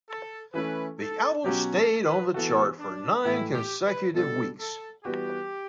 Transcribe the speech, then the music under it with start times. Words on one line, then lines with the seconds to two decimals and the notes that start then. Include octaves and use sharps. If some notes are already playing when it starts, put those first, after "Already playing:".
The album stayed on the chart for nine consecutive weeks.
0.09 A4
0.54 E3 A3 C#4 E4 B4
0.99 A4
1.44 B2 F#3 C#4 F#4 G4
1.75 A4
2.05 B4
2.34 E3 B3 F#4 A4
2.80 D4
3.25 A2 E3 A3 E4
3.54 G4
3.85 B4
4.14 B2 G3 D4 F#4 A4
4.60 A4
5.05 E3 G3 B3 F#4 G4